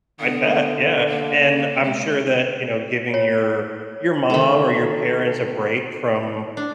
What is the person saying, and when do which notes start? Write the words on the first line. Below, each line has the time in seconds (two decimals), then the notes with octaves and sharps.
I bet. Yeah. And I'm sure that, you know, giving your your mom or your parents a break from
0.20 D3 B3
1.09 A#3
1.84 G#3
3.14 C#5
4.30 D#3 A3
6.57 D4